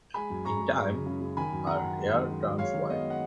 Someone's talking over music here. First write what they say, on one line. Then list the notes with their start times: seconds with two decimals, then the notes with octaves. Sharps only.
In time, her hair turns white.
0.14 G#3 G#5 B5
0.30 F#2
0.45 G#3 A#5 C#6
0.61 G#3
0.75 G#3
0.91 F#2
1.06 C#3
1.21 C#3
1.37 D#3 G#5 B5
1.52 F#2
1.67 D#3 F#5 A#5
1.83 F#2
1.98 G#3
2.13 D#3
2.29 F#2
2.43 F#2
2.58 G#3 C#5 F5
2.74 D#3
2.90 B3 D#5
3.10 F#5